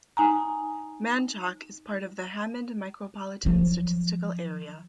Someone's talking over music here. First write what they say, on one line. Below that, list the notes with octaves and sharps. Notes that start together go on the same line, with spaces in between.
Manchac is part of the Hammond Micropolitan Statistical Area.
D#4 G#5 A#5
F3 F#3